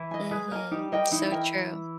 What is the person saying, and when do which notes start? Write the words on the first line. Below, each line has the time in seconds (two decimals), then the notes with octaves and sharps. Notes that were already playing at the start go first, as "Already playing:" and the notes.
Mhm, so true.
Already playing: E3 E4
0.11 D#5 G#5
0.31 G#3 G#4 B4
0.51 A#3 A#4 D#5 G#5
0.71 G3 D#4 G4
0.92 A#4 D#5 G5
1.12 E3 D#4 E4
1.32 A#4 D#5 G5